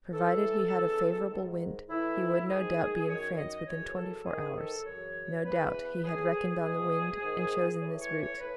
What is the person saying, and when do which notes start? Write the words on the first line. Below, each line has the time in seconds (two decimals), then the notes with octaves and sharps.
Provided he had a favourable wind, he would no doubt be in France within twenty-four hours; no doubt he had reckoned on the wind and chosen this route.
0.11 A2 E3 A4
0.70 E2 C#3 E3
1.30 G#2 D#3
1.89 A2 E3 E4
2.48 G#2 D#3 G#4
3.07 F#2 D#3 C#5
3.36 D#5
3.66 F#2 C#3 E3 C#5
3.96 A4
4.25 G#2 D#3 G#4
4.56 A4
4.85 F#2 C#3 E3 C#5
5.44 E2 C#3 E3 B4
6.03 A2 E3 G#4
6.62 E2 B2 G#4
7.22 G#2 D#3
7.81 A2 E3 C#5
8.01 C#5
8.20 C#5
8.40 A2 B4